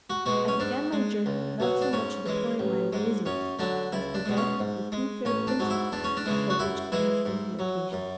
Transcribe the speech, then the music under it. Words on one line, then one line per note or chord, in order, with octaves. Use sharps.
I began my journey, not so much deploring my own miseries, as the death of the two fair princesses, of which I have been the occasion.
F#4
B2 G#3 F#4
C#4
G#2 D4
G#3
C#2
B2 F#3
D4
G#2 C#4
E3 G#3
A1
G#2 G#3
F#2 C#4
D3 F#3 D4
C#2 E4
D4
B2 G#3
C#4
G#2
G#3
A1 C#4
D4
G#2 F#3
E4
E2 D4
C#4
D4
C#3 E3 G#3
F#4
F#2 E4
E3 G#3 E4
G#2
F#3
F#2